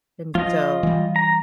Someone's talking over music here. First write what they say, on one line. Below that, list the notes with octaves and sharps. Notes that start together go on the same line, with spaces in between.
And so,
F3 F4 D#5
E3 G3
A#5